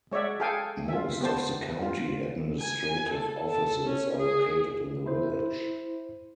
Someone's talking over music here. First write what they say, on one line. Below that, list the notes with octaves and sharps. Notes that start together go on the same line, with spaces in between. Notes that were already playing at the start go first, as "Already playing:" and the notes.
Most of the county administrative offices are located in the village.
G#3 C#5 D5 E5 F#5
G#4 A4 F5 G5 G#5
F4 E5
B3 G4 C5 A5
F4
G#5
A4
A4
C#4
G#4
E4 C5